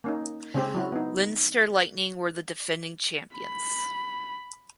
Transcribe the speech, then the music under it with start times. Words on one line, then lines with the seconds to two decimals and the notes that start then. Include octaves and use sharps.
Leinster Lightning were the defending champions.
0.04 A#3 C#4 D#4
0.54 C#3 G#3 C4 C#4 G4
0.74 F#3 E4 F#4
0.92 B3 D#4
3.37 B5